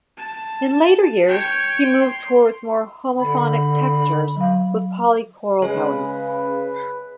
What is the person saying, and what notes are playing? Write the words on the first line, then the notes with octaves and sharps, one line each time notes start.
In later years he moved toward more homophonic textures with polychoral elements.
A5
C#5 G5
C6
D3 B5
F#3 F5
C#3 G#3 B4 C#5 G#5